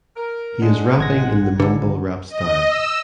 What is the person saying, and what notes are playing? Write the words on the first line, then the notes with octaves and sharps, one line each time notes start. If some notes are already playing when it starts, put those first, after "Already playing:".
He is rapping in the mumble rap style.
A#4
G#3 D4 F#5
A1 G#6 A#6
C#2 D3
D#5
E6